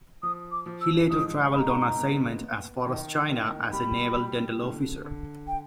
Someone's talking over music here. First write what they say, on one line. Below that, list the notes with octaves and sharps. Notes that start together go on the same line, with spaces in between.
He later traveled on assignment as far as China as a naval dental officer.
F3 D#6
D6
F3
E6
G#2 D#6
G#2 B5
A#5
B3
B3
D#3
D#3
G3 B5
G3
D3
D3
G5